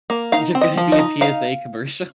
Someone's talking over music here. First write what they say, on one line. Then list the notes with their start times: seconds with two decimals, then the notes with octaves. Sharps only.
You're gonna be a PSA commercial.
0.10 A#3
0.32 D#4 F5
0.55 C4
0.61 D#5
0.77 F3
0.92 D#5
0.99 D#4
1.21 D#4 F5